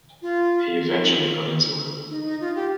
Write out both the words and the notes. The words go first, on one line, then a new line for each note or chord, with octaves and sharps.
He eventually got into it.
F4
F4
D#4
F4
D#4
D#4
F4
G4